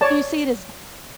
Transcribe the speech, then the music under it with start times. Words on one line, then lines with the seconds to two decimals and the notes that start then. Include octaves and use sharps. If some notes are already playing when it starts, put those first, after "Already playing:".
Do you see it as t
0.01 C#5 D5 A5